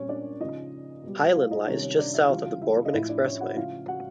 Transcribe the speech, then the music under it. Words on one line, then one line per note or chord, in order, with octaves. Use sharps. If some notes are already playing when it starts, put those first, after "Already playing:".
Highland lies just south of the Borman Expressway.
Already playing: A#2 G3 C4 C#4 C#5
D4 D5
C#3 F3 D#4 D#5
B2 G3
F4 F5
D#4 D#5
C3 D#3 G3 C#4 C#5
C#4 C#5
D4 D5
E4 E5
C#3 E3 G3 F4 F5
F4 F5
E4 E5
D#5
A2 F3 E4 E5
D4 D5
C#4 C#5
F#4 F#5
C#3 F3 F4 F5
F#4 F#5